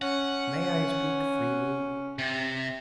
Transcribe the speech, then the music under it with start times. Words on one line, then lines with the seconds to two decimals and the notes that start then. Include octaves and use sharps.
May I speak freely?
0.02 C#4 F#5
2.19 C3